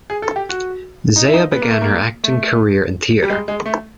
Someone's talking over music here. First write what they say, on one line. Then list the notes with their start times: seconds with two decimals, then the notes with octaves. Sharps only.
Zea began her acting career in theatre.
0.10 G#4
0.22 A4
0.36 G4
0.49 F#4
1.16 D#4
1.27 E4
1.34 D#4
1.52 B3
1.62 A#3
1.72 A3
1.81 A#3
2.24 A3
3.23 G3
3.30 G#3
3.48 G#3
3.66 A3